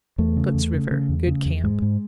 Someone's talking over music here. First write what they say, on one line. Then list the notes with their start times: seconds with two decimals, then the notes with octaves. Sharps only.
Soot's River.--Good camp.
0.18 E2 A3
0.36 C#3
0.54 E2
0.73 C#3
0.91 C#3
1.09 E2
1.27 C#3
1.46 E2
1.64 G#2 G#3
1.82 G#2